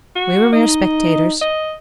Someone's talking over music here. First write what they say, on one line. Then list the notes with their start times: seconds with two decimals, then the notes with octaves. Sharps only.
We were mere spectators.
0.16 F#4
0.53 D#4 D#5
1.42 D#5